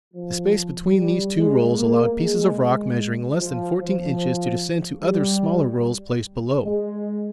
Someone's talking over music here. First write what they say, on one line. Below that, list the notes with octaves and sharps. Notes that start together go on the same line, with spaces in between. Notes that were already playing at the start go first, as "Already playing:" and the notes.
The space between these two rolls allowed pieces of rock measuring less than fourteen inches to descend to other smaller rolls placed below.
F3
G3
G#3
A#3
G#3
F3
F3
G3
G#3